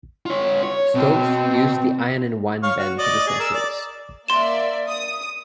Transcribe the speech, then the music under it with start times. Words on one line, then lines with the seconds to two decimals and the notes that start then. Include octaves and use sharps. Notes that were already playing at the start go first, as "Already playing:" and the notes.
Stokes used the Iron and Wine band for the sessions.
0.26 F4 C#5
0.63 C#5
0.95 B2 C4
2.63 C#5 F5 C#6
2.78 F#4
2.99 D5 D#5
3.27 G#4
3.40 A#4 E6
3.53 D5
4.28 A#3 D5 E5 C6 E7
4.88 D#6